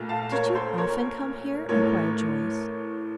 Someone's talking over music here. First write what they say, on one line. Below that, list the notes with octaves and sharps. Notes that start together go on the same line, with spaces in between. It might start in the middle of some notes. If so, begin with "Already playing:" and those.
"Did you often come here?" inquired Joyce.
Already playing: A#1 A#2 A3
F5 A5
A#4 C#5
A4 C5
A#4 C#5
A1 A2 A3 A#4 C#5